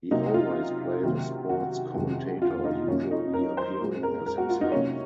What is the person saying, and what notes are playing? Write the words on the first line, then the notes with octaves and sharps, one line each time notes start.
He always played a sports commentator, usually appearing as himself.
C3 F#3 A#3 D#4
F4
C3 D#3 F#3 A#3
F#4
F2 C3 D#3 G#3
F4
D#4
F#2 F3 A#3 C#4
D#4
A#4
C5
A#2 G#3
A#4
A#4
F#4
F4
D#4
C3 F#3 A#3 C#4